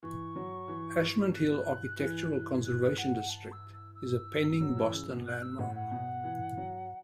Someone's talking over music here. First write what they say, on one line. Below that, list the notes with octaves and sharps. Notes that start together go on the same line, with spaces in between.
Ashmont Hill Architectural Conservation District is a pending Boston Landmark.
E3 C#6
F#3
E3
F#6
E3
F#6
F#5
A5
E6
E6
E6
F#3
E3
C#3
B2
F#6
E6
A2 F#5
F#5
B2
E3
F#3